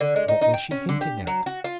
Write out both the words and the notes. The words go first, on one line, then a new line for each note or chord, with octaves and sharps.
What was she hinting at?
D3
G#3
D#4
D#4
G5
C#4
D3
G4
F#3
F#4
F4